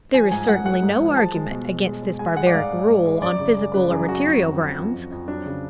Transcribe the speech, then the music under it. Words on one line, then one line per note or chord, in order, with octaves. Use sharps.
There is certainly no argument against this barbaric rule on physical or material grounds.
F3 G#5
G#2 G#5
G#2 F#5
A3 F#5
G#2
F3
G#3 A5
G#3
B2
B2
G#3
G#3
G#3 G#5
G#3 F#5
D5
G#2 F5
G#3
G#2
G#3
F#2 D5
C#3
G#3
C#3 B4
F#2 G#4
F#2 F#4
F2
F2
F2
F3
F2
F2
F#3 D4
C#3